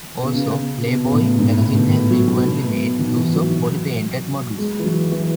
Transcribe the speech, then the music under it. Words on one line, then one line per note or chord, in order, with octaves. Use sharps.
Also "Playboy" magazine has frequently made use of body painted models.
B2
C#3
B2
B2
A2
G#2
A2
B2
D#3
F#3
F#3
B2
D#3
E3
F#3
G#3
E3
F#3
E3